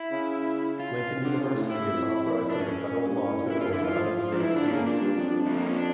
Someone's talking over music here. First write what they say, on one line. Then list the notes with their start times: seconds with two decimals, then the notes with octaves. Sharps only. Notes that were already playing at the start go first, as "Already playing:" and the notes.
Lincoln University is authorized under Federal law to enroll nonimmigrant students.
Already playing: E4
0.11 C#3
0.80 F4
1.24 D3
1.40 C#3
1.55 A2
1.70 A2 E4
1.92 F2
2.50 D4
2.60 C#4
3.05 G2
3.28 A2
3.42 A2
3.50 A#2 E4
3.61 C#3 F4
3.73 D3 E4
3.84 E3 F4
3.95 F3
4.18 F3
4.32 D4
4.40 E3 E4
4.55 D3 D4
4.66 C#4
4.71 C#3 A#3
4.86 A#2 D4
5.01 G2
5.16 F2
5.31 F2
5.46 A3
5.57 A#3
5.66 C#4
5.76 D4